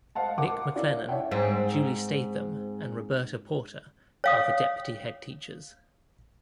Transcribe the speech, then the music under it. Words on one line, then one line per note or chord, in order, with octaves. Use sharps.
Nick McClellan, Julie Statham and Roberta Porter are the deputy head teachers.
C5 D#5 F5 F#5 A5
A#4 F#5 D6
C#4 E4 A#4 D5 F5
C#5 E5 F#5 G5
G#2 C4
C#5 F5 D#6